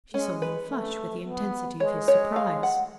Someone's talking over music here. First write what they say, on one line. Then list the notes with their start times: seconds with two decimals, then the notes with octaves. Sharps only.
She saw him flush with the intensity of his surprise.
0.14 G#3 C#4
0.42 B4
0.70 A3
1.25 B3
1.80 G#3 C#5
2.08 C#5
2.36 F5
2.63 F#5